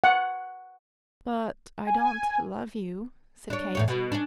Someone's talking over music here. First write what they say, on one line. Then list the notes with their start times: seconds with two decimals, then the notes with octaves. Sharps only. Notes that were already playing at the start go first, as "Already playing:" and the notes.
"But I don't love you," said Kate.
0.04 F#5
1.87 G#5
3.50 D4 C#5
3.75 E2 A2 C#5
3.88 B2
4.12 C#4 D4